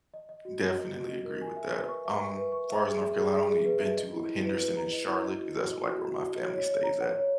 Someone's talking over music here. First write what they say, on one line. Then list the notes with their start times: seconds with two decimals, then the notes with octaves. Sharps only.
Definitely agree with that, um, far as North Carolina, only been to Henderson and Charlotte, 'cause that's, like, where my family stays at,
0.14 D#5
0.29 D#5
0.45 F#4
0.61 F#4
0.77 D#5
0.93 F#4
1.09 D#5
1.25 A#4
1.42 G#5
1.57 E5
1.73 B4
1.88 C#6
2.05 E5
2.22 C#6
2.38 B4
2.52 C#6
2.69 E5
2.85 G#4
3.00 E5
3.16 G#4
3.33 G#4
3.48 G#4
3.65 B4
3.80 E5
3.97 D#5
4.12 E4
4.29 E4
4.44 B4
4.60 B4
4.77 A#5
4.93 D#5
5.08 E4
5.25 D#5
5.40 F#4
5.56 F#4
5.72 D#5
5.89 F#4
6.04 F#4
6.21 F#4
6.35 D#5
6.53 C#5
6.67 C#5
6.83 A#5
7.01 F#5
7.16 C#5